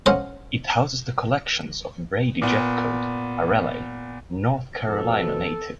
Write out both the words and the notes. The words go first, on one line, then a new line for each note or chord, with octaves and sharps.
It houses the collections of Brady Jefcoat, a Raleigh, North Carolina native.
C#4 A4 C5 D#5 F5 F#5
A#2 B3
F2 B2 A4